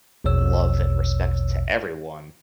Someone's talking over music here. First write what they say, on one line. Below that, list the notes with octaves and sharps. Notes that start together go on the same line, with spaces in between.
love and respect to everyone."
A#1 E2 B2 C#5 E6